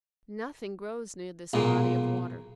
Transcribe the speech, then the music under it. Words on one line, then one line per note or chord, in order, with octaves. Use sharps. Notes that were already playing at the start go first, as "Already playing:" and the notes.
Nothing grows near this body of water.
B1 A#2 G#3 A#3